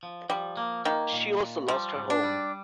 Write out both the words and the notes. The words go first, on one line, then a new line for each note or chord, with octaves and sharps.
She also lost her home.
F3
F3 G3
A#3
D#3 A#3
A#2
A#2
F3 G3
G#2
D4
G3